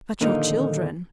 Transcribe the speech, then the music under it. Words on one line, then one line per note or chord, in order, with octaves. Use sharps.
"But your children?"
D#2 A#2 D3 F3 A#3 D#4